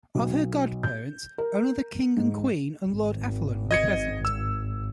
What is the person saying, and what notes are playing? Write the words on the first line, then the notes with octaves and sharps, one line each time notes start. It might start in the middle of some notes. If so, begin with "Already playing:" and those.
Of her godparents, only the King and Queen and Lord Athlone were present.
B1
G6
A#4
G#2
G#1
D#5 G#6 C#7
E6